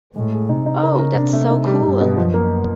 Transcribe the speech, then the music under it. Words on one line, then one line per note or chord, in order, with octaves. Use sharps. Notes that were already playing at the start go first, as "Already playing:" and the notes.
Ooh! That's so cool!
A2 G#3
G#4
C3 D#4
D#4
C#3 A#4
A#4
C3 D4
A3
D#4
G3
G2 G3
B2
F#2 F3
A#3